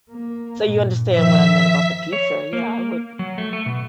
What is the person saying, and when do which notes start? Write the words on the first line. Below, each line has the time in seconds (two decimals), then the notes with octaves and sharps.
So you understand what I meant about the pizza yeah, I would
0.10 A#3
0.62 G2 A#2
1.09 D#3 F3 E5 B6
2.13 C#5
2.53 A#3
3.19 F#3
3.38 A3
3.53 A3
3.66 B2